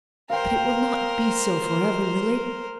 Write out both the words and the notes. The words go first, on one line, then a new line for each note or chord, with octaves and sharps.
"But it will not be so for ever, Lily."
A#4 C5 F5 G5